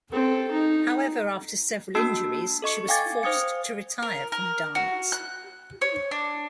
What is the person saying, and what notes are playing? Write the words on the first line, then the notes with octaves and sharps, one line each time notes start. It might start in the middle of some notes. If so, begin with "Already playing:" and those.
However, after several injuries, she was forced to retire from dance.
C4 A4
D#4
A#3 D4 F#4 A5 E6 C7
A4 D#5 C#6 C#7
F5 G5 G#5 D6 G#6 A6
C5 F5 D#6 G#6 C#7
A#4
A#4
F#4
F#6
C#5
D4